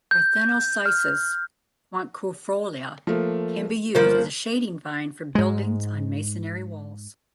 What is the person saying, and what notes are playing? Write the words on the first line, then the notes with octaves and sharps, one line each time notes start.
"Parthenocissus quinquefolia" can be used as a shading vine for buildings on masonry walls.
G6
F6
F3 A3 A#3
G1 F3 A#3
G#2 G#3